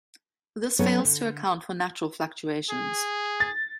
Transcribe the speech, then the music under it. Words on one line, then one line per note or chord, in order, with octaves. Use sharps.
This fails to account for natural fluctuations.
F#3 B3 C#4 A4 B4 C#5
D3
G#4
A6